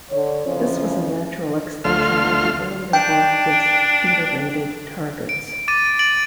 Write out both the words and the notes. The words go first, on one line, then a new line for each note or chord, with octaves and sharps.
This was a natural extension of the earlier work with deuterated targets.
D3 C#5
F2 C#3 E3 F3 C#4
D2 A3 F4 C6 F6
D4 G5
D7
D6 A6 D#7
A6 D7 F#7